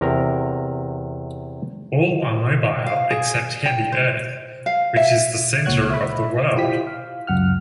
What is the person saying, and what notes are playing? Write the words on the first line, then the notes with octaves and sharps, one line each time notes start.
All are mobile except heavy earth which is the center of the world.
E2 C3 A#4 A#5
F5
G#4
G5
C5
F5
E5
C#2 A#2 C#5 F#5 F#6 G#6
E5 B5
E4 F4 G4 C5 G5 B6
F5
C#2 F#2 F#5 F6